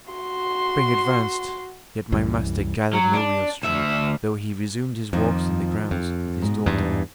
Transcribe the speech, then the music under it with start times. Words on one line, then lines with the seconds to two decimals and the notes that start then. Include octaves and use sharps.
Spring advanced; yet my master gathered no real strength, though he resumed his walks in the grounds with his daughter.
0.11 F#4 C6
2.12 C2 F#2 E3 G3
2.93 F#3
3.14 D4
3.63 D2 E5
5.13 F2 D#3 F3
5.91 F2
6.41 G#2 B2
6.66 E2 G2